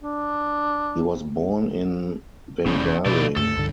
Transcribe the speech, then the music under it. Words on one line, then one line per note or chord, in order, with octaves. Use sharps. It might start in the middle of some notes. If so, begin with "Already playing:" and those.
He was born in Whangarei.
D4
F1 A2 C#3 G3 C#4
E2
B2 F3 E4 D5
D2 G2 A3 A4
C#2 G2 D3